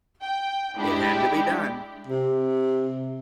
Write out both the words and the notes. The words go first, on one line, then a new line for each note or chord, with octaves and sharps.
It had to be done.
G5
G#3 D4 E4 G4
C3